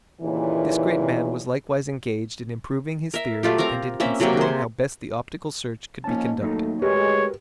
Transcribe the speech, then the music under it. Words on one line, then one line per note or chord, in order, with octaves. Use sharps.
This great man was likewise engaged in improving his theory and in considering how best the optical search could be conducted.
D#2 A#2 C#3 E3
A#4 E5
F#3 A3 F4 G4
C4 A#4 F5 A#5
A#3 C4 C#4 E5
C3 F#3 A#3 G5
G#4 C5
F3 A#3 C#4 D#4 A5
F#3 A3 A#3 D#4
G#3 A3 F#4 G4 A#4 B4 C#5